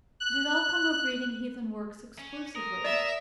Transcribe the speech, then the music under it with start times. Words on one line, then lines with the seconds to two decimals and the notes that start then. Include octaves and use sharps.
It had all come of reading heathen works exclusively.
0.20 F#6
2.19 C#4
2.55 A#4 D#6 A#6
2.84 D5 E5